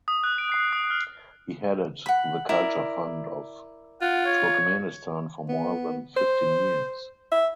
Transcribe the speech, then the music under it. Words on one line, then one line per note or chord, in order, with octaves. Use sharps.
He headed the Culture Fund of Turkmenistan for more than fifteen years.
D#6
F#6
D7
C7
D#6
F6
F#5 B5
E4 A#4 D5
F4 F#5
C#5
B3
C5
E5